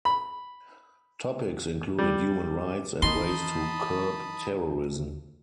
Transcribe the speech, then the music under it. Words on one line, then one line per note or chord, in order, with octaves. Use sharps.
Topics included human rights and ways to curb terrorism.
B5
G3
D#3 E3 D#4 A5 B5 C6 D#6